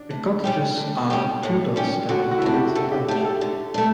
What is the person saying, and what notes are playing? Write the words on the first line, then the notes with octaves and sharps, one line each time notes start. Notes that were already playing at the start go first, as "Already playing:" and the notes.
The cottages are Tudor style and thatched.
Already playing: D4
A2
G3 C#4 G4
A2
G3 C#4 G4
A2
G3 C#4 G4
D3 F#4
F#4
E4
A3 D4 F#4
G4
D3 A4
G4
A3 D4 G4
A4
D3
A3 D4